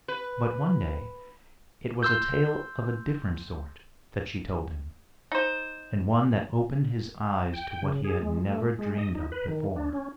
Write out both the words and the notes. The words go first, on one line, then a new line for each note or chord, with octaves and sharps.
But one day it was a tale of a different sort that she told him, and one that opened his eyes to what he had never dreamed of before.
B4
C6 E6 G6
D#4 C5
G5
C#3
G#4
G#3
A3
G#3
D#5
D#4
B4
D#3
D4
C#4